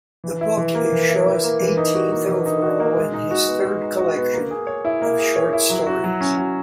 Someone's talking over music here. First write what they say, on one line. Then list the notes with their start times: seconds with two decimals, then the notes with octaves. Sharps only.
The book is Shaw's eighteenth overall and his third collection of short stories.
0.24 E3
0.41 E4
0.57 E3
0.75 A#3
0.93 E3
1.09 E4
1.26 E3
1.44 A#3
1.60 E3
1.77 D#4
1.95 F#4
2.12 A#3
2.29 E3
2.46 D#4
2.62 F#4
2.80 A#3
2.97 G#3
3.14 D#4
3.31 F#4
3.48 B3
3.65 G#3
3.82 D#4
3.99 F#4
4.16 B3
4.33 A#3
4.50 G#4
4.67 C#5
4.85 E4
5.02 A#3
5.19 G#4
5.36 C#5
5.53 E4
5.70 F#3
5.87 F#4
6.04 F#3
6.21 C#4
6.37 F#3